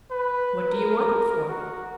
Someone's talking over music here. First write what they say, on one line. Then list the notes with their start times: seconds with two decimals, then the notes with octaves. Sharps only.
What do you want it for?'
0.11 B4
0.70 A#4
1.49 F#4